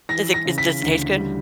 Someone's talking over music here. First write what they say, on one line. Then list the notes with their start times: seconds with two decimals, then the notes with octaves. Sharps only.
Is it is does it taste good?
0.09 E3 A#6
0.34 A#6
0.45 C#3
0.58 B6
0.82 D2
1.17 G3